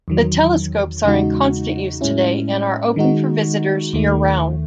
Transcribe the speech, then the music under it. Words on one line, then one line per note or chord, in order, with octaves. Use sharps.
The telescopes are in constant use today and are open for visitors year round.
E2 D#3 F#3
E2 C#3 G#3 D#4 F#4
A2 G#3 C#4 E4
D#3 G#3 D#4 F#4
D#2 D#3 A3